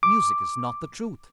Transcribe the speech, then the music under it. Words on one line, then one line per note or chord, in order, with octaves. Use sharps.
Music is not the Truth.
D6